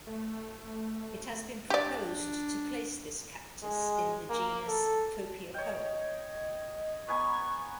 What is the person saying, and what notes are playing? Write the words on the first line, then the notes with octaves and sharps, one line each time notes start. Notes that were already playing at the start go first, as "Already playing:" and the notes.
It has been proposed to place this cactus in the genus "Copiapoa".
A3
D4 G4 D5
G#3
A#3
A4
C#5 D#5 G5
B3 G#5 A#5 C#6